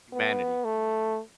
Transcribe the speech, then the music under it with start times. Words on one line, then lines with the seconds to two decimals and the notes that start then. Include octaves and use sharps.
humanity more than anything
0.13 B3
0.65 A3